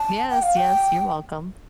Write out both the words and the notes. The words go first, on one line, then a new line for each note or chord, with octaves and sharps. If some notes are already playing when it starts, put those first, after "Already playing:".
Yes, yes. You're welcome.
Already playing: A5
G5
F5
G5